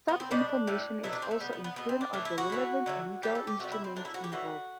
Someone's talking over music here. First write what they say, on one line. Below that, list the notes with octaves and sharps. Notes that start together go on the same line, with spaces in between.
Some information is also included on the relevant legal instruments involved.
B3
C4
B2 G3 D4
A2 G3
B2 F#3 A3 E4
D4
C4
A3
C3 G3 B3
B3
B3
B2 A3 B3
C4
D4
A2 E3 A3 D4
E4
F#4
A2 E3 A3
D3 F#3 A3
A2 E3 G3 G4
A4
G4
C3 G3 F#4
E4
C4
D3 F#3 A3 D4
E4
F#4
G4
A2 E3 G3 F#4